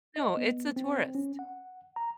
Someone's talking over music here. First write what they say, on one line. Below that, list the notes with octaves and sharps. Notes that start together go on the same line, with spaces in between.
No, it's a tourist.
D#5
B3
C4
C#4
F#5
A#5